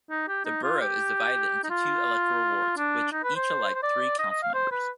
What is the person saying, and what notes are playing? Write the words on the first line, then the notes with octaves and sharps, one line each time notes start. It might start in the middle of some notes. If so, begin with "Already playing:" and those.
The borough is divided into two electoral wards which each elect three council members.
D#4
G4
D#4
F4
G4
D#4
F4
D4
D#4
B4
C5
C5
D5
D#5
D#5
F5
C5
B4